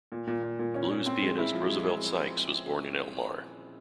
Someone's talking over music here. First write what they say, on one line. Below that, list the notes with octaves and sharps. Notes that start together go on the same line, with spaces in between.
Blues pianist Roosevelt Sykes was born in Elmar.
A#2
A#2
A#2
A#2
C#4
C#4
C4
G#3
E4
F3
G#3
G#3